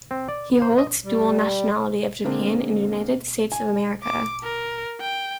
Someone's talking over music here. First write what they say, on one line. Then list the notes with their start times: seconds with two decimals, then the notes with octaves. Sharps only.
He holds dual nationality of Japan and United States of America.
0.11 C4
0.29 D5
0.62 C5
0.78 D#5
1.04 G3
2.24 D3 G#3 A#3 C4 D4
3.52 G#5
4.03 D6
4.43 A#4
5.01 G5